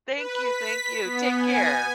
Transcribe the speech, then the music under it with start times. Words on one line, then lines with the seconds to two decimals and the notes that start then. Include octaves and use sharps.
Thank you, thank you, take care.
0.16 B4
0.45 B6
1.05 B3
1.35 G#5